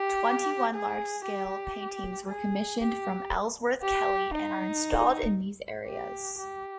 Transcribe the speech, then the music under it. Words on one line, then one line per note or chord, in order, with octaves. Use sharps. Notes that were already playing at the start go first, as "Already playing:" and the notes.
Twenty-one large-scale paintings were commissioned from Ellsworth Kelly and are installed in these areas.
Already playing: G4
G#4
G4
G#4
G4
G4
D#4
G4
G4